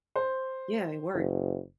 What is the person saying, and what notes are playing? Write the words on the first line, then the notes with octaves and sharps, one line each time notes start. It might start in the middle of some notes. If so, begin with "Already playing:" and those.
yeah, it worked,
C5
F#1